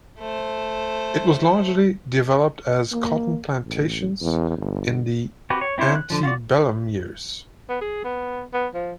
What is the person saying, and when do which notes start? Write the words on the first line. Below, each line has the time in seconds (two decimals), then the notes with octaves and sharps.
It was largely developed as cotton plantations in the antebellum years.
0.19 A3 C5
2.92 A#3
3.64 A1
4.22 E2
4.58 G1
5.50 C4 F#4 G4 B4
5.61 C#5
5.78 C4 E4 G4 C5 C#5
5.95 F#6
6.10 D3 F3
6.23 F4 F#4 D5
7.69 B3
7.81 G#4
8.05 B3
8.53 B3
8.74 F3